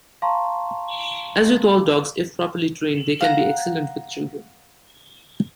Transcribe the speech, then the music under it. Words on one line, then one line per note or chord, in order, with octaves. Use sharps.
As with all dogs, if properly trained, they can be excellent with children.
F5 A5 A#5 C6 C#6
F5 F#5 A#5